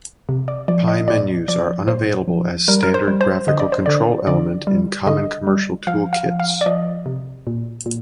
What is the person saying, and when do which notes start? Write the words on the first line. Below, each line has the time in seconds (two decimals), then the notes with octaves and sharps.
Pie menus are unavailable as standard graphical control element in common commercial toolkits.
0.29 C3
0.48 D5
0.68 F3 D5
0.88 D#5
1.08 A#2 D5
1.48 F3 D5
1.87 A#2 C5
2.28 F3
2.68 G3 A#4
2.83 A#4
2.94 C5
3.08 G3
3.21 C5
3.47 D3 D#5
3.60 D5
3.72 C5
3.86 D3 D5
4.27 D3 D5
4.67 G3
5.07 D3 D#5
5.47 G3
5.87 F3 F5
6.13 F5
6.26 F3
6.40 F5
6.61 D5
6.66 F3 D#5
7.06 C3
7.47 A#2
7.86 A#2